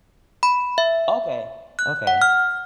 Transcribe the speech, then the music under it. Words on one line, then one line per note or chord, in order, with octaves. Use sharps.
Okay, okay.
B5
E5
F#6
F#5
F6